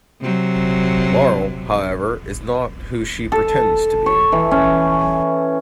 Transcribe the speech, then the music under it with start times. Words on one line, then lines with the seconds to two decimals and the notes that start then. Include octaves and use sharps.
Laurel, however, is not who she pretends to be.
0.21 C3 F#3
3.32 A4
4.06 C#5
4.32 E3
4.51 C#4